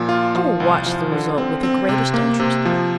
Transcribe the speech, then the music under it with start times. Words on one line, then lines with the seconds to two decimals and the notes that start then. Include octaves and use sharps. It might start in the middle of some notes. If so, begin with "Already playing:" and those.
I will watch the result with the greatest interest.
Already playing: A#2 F3
0.09 F4
0.35 F3
0.60 C2
0.86 F3
1.12 D3
1.38 C4
1.63 C4
1.89 C3
2.14 A#3
2.40 C3
2.65 F3